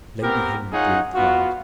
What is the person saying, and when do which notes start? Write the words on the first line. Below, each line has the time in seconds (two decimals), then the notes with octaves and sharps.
Lady Henry breathed hard.
0.22 B3 C4 G4 A#4
0.73 D#4 F4 G#4 C#5 F#5
1.15 B3 F4 F#4